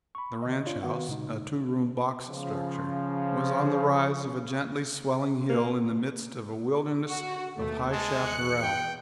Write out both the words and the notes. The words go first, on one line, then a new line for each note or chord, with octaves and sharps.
The ranch house--a two-room box structure--was on the rise of a gently swelling hill in the midst of a wilderness of high chaparral.
B5 C#6
D3 D#5
D4 F4 C#5 D5
D#3 B3 F#4 B4 F5 F#5
A#2 C#3 G#3 D#4
C#3 F3
A#3
F#4
D#2 B2 A3
G#3 A5
E2 F#6 C#7
G5